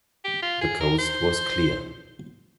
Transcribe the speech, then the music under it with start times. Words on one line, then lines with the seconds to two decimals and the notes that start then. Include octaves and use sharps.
The coast was clear.
0.25 G4
0.43 F4
0.61 G#4
0.80 A#4
0.99 C5